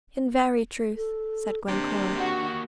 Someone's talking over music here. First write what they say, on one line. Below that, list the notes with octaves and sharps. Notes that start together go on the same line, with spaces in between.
"In very truth," said Glencora.
A4
C3 A#3 D4 G4
F#4